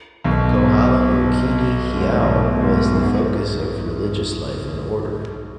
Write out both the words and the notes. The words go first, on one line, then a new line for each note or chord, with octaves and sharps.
In Kohala Mookini Heiau was the focus of religious life and order.
B1 B2
G#2
A2
B1 B2
G#2
F#2
G#2